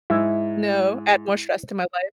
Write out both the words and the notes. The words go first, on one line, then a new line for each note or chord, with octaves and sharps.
No, add more stress to my life.
G#2 E4